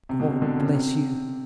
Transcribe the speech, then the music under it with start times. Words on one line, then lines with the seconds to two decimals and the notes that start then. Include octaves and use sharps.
God bless you!'
0.09 C3
0.20 B2
0.31 C3
0.42 D3
0.59 C#3
0.75 C3